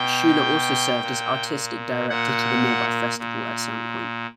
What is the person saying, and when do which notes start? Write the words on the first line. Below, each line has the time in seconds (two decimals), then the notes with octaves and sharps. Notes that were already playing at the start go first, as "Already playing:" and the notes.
Schuller also served as Artistic Director to the nearby Festival at Sandpoint.
Already playing: B2 G5
1.01 A#2
2.09 A#2 F#5
3.18 A#2